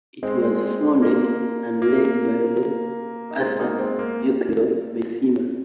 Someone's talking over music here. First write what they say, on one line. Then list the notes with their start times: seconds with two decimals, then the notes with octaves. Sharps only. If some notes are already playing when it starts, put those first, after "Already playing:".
It was founded and led by the author Yukio Mishima.
0.23 G#3 C4
1.02 A#3
1.82 A#3
3.31 D#4
3.40 G#3 C4
3.59 A#3 D#4
3.78 G#3 C4
3.99 A#3